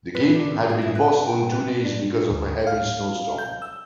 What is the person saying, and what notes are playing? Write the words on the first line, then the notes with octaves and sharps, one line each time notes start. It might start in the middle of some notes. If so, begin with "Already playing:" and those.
The game had been postponed two days because of a heavy snowstorm.
B4
D4
A#5
G#4
E4
B4
G5
B4
D4
D2
F5
G6
E6